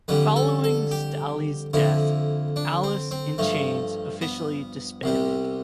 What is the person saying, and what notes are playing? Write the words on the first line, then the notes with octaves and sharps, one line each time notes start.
Following Staley's death, Alice in Chains officially disbanded.
F2 D3 G3 B4
A4
A4
G4
F2 D3 F3 E4
D4
C4
C4
G2 F3 A3
B3
C2 C3 G3